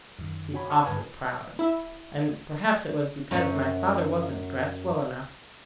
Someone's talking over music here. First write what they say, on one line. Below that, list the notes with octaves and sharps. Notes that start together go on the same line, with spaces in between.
He's awfully proud; and perhaps it was because my father wasn't dressed well enough.
F#2 D#3
F#4 C#5 G#5 B5
G#5 A5 B5 C#6 D#6 F6
G2 D3 B4 G#5 A5
E4 E5
F#2 C#4